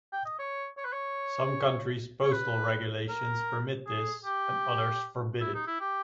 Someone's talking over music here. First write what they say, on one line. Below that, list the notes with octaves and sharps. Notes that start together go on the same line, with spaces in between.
Some countries' postal regulations permit this and others forbid it.
G5
D#5
C#5
C#5
B4
C#5
C#5
B4
A#4
G#4
G4
E4
D#4
E4
G4